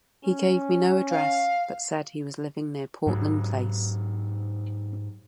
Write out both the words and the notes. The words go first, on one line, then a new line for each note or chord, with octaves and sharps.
He gave me no address, but said he was living near Portland Place.
C#4
F5
G#2 F#3